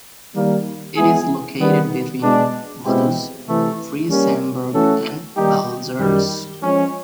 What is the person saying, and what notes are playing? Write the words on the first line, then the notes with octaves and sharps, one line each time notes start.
It is located between Vaduz, Triesenberg and Balzers.
D#3 G3 A#3
G#3 B3 E4 G#4
D#3 G3 B3
B2 G#3 B3 D4
B2 G#3 C4 E4 G4
C3 E3 A3
G3 A#3 C#4
E3 A3 C#4 F#4 A4
D#3 G3 A#3 D#4 G4
F#2 D#3 G3
F3 G#3 C#4